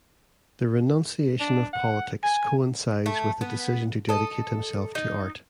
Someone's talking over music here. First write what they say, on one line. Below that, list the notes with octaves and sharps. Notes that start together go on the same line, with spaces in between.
The renunciation of politics coincides with the decision to dedicate himself to art.
D4
F#5
G#5
A3
B3
A4 D#5
D#4